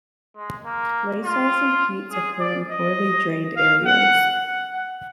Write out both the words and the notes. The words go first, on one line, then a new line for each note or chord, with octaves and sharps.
Gleysols and peats occur in poorly drained areas.
G#3
A#3
F4
G#4
D5
D#5
F5
F#5
F#5
F#5